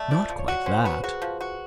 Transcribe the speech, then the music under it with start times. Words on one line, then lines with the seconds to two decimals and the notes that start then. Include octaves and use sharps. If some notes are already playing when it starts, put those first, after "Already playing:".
"Not quite that!"
Already playing: A3 D5 D#5
0.11 F3 D5
0.29 F3
0.39 C#5
0.48 F#4
0.66 C#4 C5
0.85 F#4 B4
1.03 F#4 G#4
1.22 F3
1.41 F#4